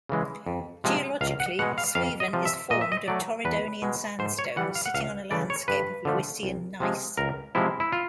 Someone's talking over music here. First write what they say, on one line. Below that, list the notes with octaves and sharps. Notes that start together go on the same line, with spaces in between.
Geologically, Suilven is formed of Torridonian sandstone, sitting on a landscape of Lewisian Gneiss.
C#3 E3 G#3
F2
C3 F3 G#3
C#2 F5
F#5
B2 G#3 F#5
F5
F2 F5
D#5
C3 F3
E5
A#2 D#5
E5
D#5
F#3 A3 D5
E2 B4
B2 G#3
G#2 C5
C#5
E3 G3 F#5
F5
F#5
C#2 F5
C#3 E3 A3 D5
C#5
G2 B4
D3 F3 A3
C2
C3 F3 G#3
C#2 A#4
C3 F3 G#3 E4
E4
F4